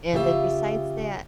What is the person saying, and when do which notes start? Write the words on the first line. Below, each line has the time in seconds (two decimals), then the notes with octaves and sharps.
And then besides that,
0.13 C#3 F4 G4 A#4 E5